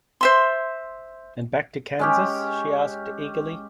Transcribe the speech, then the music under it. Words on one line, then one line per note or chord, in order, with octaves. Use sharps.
And back to Kansas? she asked, eagerly.
C5 E5 C6
G#3 C#4 G4